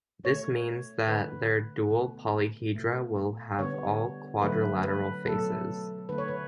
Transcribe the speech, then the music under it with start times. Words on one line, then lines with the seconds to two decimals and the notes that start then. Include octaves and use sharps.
This means that their dual polyhedra will have all quadrilateral faces.
0.24 B2 A3 C#5
1.08 D3 A3 B4
1.91 B2 A3
2.75 B2 A3
3.59 D3 G3 B3 C#5
4.42 D3 F#3 A3 B4
4.84 B4
5.25 B2 F#3 A3 A4
6.09 D3 A3 B4
6.18 C#5
6.28 B4